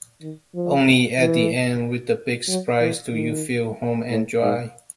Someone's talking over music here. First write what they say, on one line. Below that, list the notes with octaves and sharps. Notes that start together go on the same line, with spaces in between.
Only at the end with the big surprise do you feel home and dry.
D#3
F3
E3
F#3
E3
D#3
A2
G#2